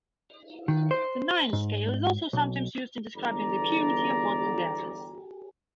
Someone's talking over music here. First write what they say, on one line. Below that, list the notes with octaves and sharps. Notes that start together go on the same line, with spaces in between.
The nines scale is also sometimes used in describing the purity of bottled gases.
D#3
C5
G#2
B1
G1 E2 A4 D5 A#5